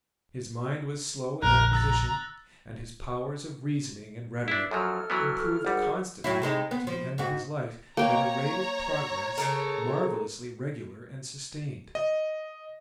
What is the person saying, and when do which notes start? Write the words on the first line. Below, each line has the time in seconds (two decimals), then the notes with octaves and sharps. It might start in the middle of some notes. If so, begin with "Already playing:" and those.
His mind was slow in acquisition, and his powers of reasoning and rhetoric improved constantly to the end of his life, at a rate of progress marvelously regular and sustained.
1.43 F1 A#1 A#2 A#4 F#6
1.73 A#5 E6 A6
4.48 D4 E4
4.71 F#2 F3 F#3 A4 F6
5.10 E3 F#3 B3
5.65 G#1 G3 G#4 A#4 F#5
6.24 A2 F#3 E4
6.42 C3 G#3 D#4
6.71 B3
6.87 F3
7.18 G#2 F#4
7.97 A#3 C#5 G5 A#5
9.38 C#3 A4 A#4
11.95 D#5